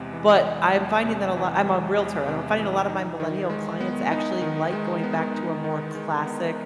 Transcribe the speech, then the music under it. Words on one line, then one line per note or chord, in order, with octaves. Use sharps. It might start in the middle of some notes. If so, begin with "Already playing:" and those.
but, I'm finding that a lot I'm a realtor and I'm finding a lot of my millennial clients actually like going back to a more classic
Already playing: E2 C3 G#3
E3
G#3
E2
C3
E3
G#3
E2
C3
E3
D#4
D#3
G#3
B3
D#4
D#3
G#3
B3
D#4
D#3
G#3
B3